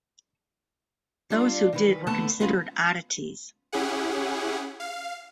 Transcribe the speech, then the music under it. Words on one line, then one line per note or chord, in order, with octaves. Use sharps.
Those who did were considered oddities.
G3 D4 F4
D#3 E3 B4
D#2 D3 A3 B3 F#5 A5
G#3 B3 C#4 F4 G#4
C#4 E4 G4 G#4 F#5
F5